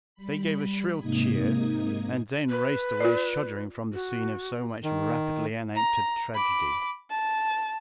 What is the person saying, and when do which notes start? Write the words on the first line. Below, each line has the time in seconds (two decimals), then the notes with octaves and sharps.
They gave a shrill cheer, and then raced away shuddering from the scene of so much rapidly enacted tragedy.
0.15 G3 B5
0.99 G#2 C3 A#3 D#4 D#6 G#6
2.50 B4
3.00 F4 D5
3.93 F#4
4.84 D#3
5.75 A#5
6.34 B5 D6
7.10 A5